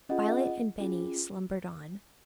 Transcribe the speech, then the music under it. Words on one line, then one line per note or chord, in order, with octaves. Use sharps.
Violet and Benny slumbered on.
C#4 F4 G#4 D#5 F#5
C#4 F4 G#4